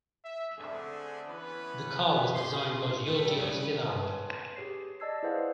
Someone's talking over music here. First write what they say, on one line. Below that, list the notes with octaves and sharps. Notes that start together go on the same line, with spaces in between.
The car was designed by Giorgio Stirano.
E5
D3 A3 C4 D4 G#4
E3 B3 C#4 B4
G4 G#4 C6
A3
G3 E4
C2
B4
B4 C#5 G#5 A5 C6
G4 G#4 C#5 C7
D5 D#5 A5 E6 G#6 C7
E4 G#4 B4 C5 F5 F#5